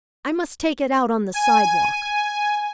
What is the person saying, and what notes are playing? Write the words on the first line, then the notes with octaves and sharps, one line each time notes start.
I must take it out on the sidewalk.
G#5